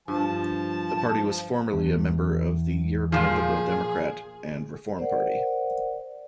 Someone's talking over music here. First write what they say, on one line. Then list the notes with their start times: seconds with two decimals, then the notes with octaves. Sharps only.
The party was formerly a member of the European Liberal Democrat and Reform Party.
0.08 G2 F3 A5
1.73 E2
3.12 A#2 F3 G#4
4.97 A#4 C5 D5 F#5